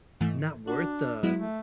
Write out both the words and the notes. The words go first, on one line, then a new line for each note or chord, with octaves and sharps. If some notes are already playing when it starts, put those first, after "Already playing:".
not worth the
G#2 E3 A3
D4 F#4
F#3 G#3 B3 E4
A3